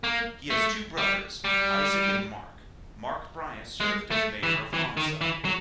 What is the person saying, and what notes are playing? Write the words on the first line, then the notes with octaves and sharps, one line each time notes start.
He has two brothers, Isaac and Mark; Mark Bryant served as mayor of Lawnside.
A#3
A3
G3
G3
G#3
A3
E3
E3
D#3
E3
F#3